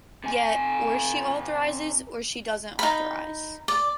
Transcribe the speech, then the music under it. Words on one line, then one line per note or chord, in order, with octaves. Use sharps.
Yet or she authorizes, or she doesn’t authorize.
C3 G#5
D#4 B5
D5